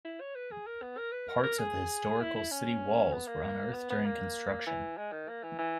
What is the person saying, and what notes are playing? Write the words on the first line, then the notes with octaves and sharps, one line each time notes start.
Parts of the historical city walls were unearthed during construction.
E4
C#5
B4
G#4
A#4
B3
A#4
B4
A#4
A#4
G#4
E4
E4
C#4
B3
A#3
B3
B3
A#3
E3
G#3
D#3
A#3
E3
E3